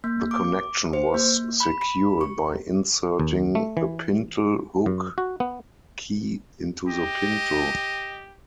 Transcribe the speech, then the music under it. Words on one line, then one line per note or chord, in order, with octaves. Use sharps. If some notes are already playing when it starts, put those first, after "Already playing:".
The connection was secured by inserting a pintle hook key into the pintle.
A#3
D6
C5
A#3
B5
B5
C#6
D#2
A3
E3
F#2
F#4
B3
G4 D#5